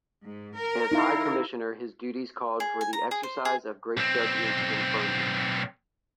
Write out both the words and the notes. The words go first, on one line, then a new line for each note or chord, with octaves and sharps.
As High Commissioner his duties called for the exercise of great judgment and firmness.
G#2
A#4
D#4 E4 F5
G#4
G#5
A#5
G#4
C5
G#4
B1 C4